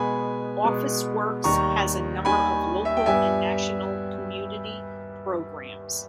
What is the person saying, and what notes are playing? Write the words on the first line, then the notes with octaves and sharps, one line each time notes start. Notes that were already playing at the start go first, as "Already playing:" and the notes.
Officeworks has a number of local and national community programs.
Already playing: B2 G#3 B3 G#5 B5
B2 G#3 B3
D#2 D#3 G3 A#5 C#6
D#2 D#3 G3 G#5 B5
E5
G5
G2 G3 B3 E5 G#5